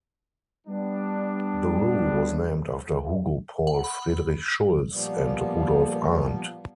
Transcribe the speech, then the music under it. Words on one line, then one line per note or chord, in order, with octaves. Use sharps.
The rule was named after Hugo Paul Friedrich Schulz and Rudolf Arndt.
G3 B3 D4
F#5
B5
A#2 F3 G3 A#3 B3